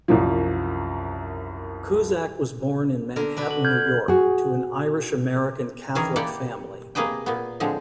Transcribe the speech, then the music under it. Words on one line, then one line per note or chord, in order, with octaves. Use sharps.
Cusack was born in Manhattan, New York, to an Irish-American Catholic family.
C2 F#2 F3
D3 A#4
D4 F#4 B4
F#7
F6 G6 G#6
F#4 G#4
D#3 E3 C#4 G#4 A#4
A#3 E4 G4 D5 F#5 G5
C3 A#3 G#4 B4 D#5 G5
A#2 B3
A2 D3 F3 G#3 C4